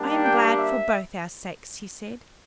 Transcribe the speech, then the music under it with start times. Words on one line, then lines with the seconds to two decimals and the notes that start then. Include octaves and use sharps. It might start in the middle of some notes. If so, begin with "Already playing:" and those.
"I am glad for both our sakes," he said.
Already playing: G3 A#3 D4 G4
0.23 G5
0.58 E5